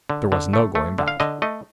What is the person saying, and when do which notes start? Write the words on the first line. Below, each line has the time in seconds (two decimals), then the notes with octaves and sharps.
There was no going back.
0.10 D3
0.32 D3
0.53 A3
0.75 A3
0.99 D3
1.08 F5
1.20 D3 D#5
1.42 A3 D#5